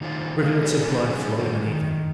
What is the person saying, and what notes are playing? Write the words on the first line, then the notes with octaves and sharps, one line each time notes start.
Rivulets of blood flowed beneath him.
D#3 D#4 F4 A4 C5
G#3 A#3
G4 G#4 A#4 B4 D5
D4 G#4 C5
G#2 D#3 G3 D4
D#3